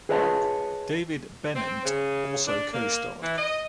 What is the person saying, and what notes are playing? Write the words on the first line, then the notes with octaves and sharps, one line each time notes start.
David Bennent also co-starred.
G#4 B4 C#5 D#5 G5 A5
C4
C#3
D4
A#3
E3
D#5